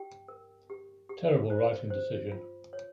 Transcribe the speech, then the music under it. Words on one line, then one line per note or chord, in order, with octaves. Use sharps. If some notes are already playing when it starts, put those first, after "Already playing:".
Terrible writing decision.
Already playing: G4 G5
A#4
G4
G4
C5
C5
F4
C#5